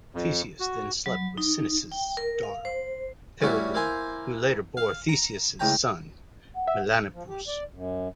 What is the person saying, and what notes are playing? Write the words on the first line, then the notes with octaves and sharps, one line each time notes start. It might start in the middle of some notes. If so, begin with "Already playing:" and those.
Theseus then slept with Sinis's daughter, Perigune, who later bore Theseus's son, Melanippus.
F2
F#4
F#3
D#4
G5
A#4
F5
C5
A2 G3 B3 C#4 E4 F#4
A#3 E4 C5 G#5
F5
A#5
C#2 A2 G5 A#5
F#5
E5
F3
G4
D5
F#2